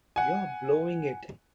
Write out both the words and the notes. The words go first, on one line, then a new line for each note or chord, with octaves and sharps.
You're blowing it!
F#5 G#5